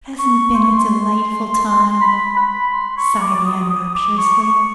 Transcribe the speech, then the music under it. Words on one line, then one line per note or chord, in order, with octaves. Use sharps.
"Hasn't it been a delightful time?" sighed Anne rapturously.
C#6
C6
C#6
C6
B5
B5
C6
C#6
D6
D6
D#6
D#6
D6
C#6
C#6